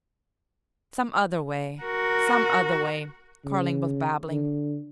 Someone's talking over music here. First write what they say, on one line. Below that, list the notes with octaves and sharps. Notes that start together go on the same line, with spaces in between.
"Some other way--some other way!" Carling was babbling.
F#4 A#4
C#3
D3